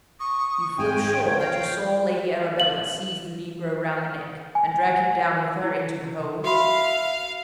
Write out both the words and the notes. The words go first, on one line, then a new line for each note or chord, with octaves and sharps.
"You feel sure that you saw Lady Arabella seize the negro round the neck, and drag him down with her into the hole?"
C#6 D#6
G#1 G5 G#5
G#6
F3 F4 C#5
F5 G5
F#7
G#5
E4
F#4 E5 F5 B5